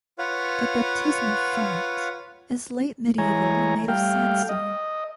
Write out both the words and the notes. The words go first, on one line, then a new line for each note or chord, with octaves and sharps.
The baptismal font is late medieval and made of sandstone.
F4 B4 C#5 F5 F#5
E3 G#3 C#5 G#5 A#5
G3 A3 F5 G5
D#5